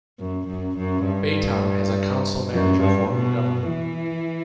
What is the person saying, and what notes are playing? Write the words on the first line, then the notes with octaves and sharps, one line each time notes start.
Baytown has a council-manager form of government.
F#2
F#2
F#2
G2
F#2
G2
B2
E3